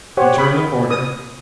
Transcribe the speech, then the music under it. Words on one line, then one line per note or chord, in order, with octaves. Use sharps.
He turned the corner.
G4 C5 C#5 F#5
B5
D#6